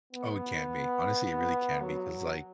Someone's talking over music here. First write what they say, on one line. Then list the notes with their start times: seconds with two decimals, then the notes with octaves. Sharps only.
Oh, it can be. Honestly, it really can be 'cause, like,
0.13 B3
1.25 B3
1.81 F#3